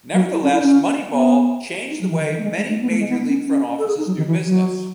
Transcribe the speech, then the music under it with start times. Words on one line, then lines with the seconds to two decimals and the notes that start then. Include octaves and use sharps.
Nevertheless, "Moneyball" changed the way many major league front offices do business.
0.13 F#3
0.33 E4
0.43 C#4
0.53 E4
0.63 C#4
1.12 B3
1.90 D#4
2.01 F#3
2.10 E3
2.20 D#3
2.30 E3
2.38 A3
2.43 G#3
2.56 G#3
2.69 A3
2.81 B3
2.90 A3
2.99 G#3
3.09 B3
3.28 C#4
3.48 C#4
3.79 A4
3.88 G#4
3.98 D#4
4.07 F#3
4.17 D#3
4.27 E3
4.47 F#3